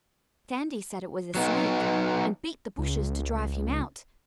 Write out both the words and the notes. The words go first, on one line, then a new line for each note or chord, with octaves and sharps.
Sandy said it was a snake and beat the bushes to drive him out.
F#3 B3 D#4
C#2